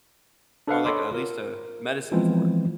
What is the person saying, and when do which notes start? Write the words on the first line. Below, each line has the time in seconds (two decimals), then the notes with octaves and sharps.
Or, like, at least a medicine for it.
0.67 D4 A4 B4 C5 F5 F#5
0.85 A4 C#5 D#5 B5 C6 D6
1.13 F4 A#4
2.12 E3 F3 G#3 B3 C4 F4